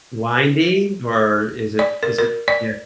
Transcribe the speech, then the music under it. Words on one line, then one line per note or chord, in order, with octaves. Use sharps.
Winding, or is it is it Yeah.
D5
A#4
A#4
D5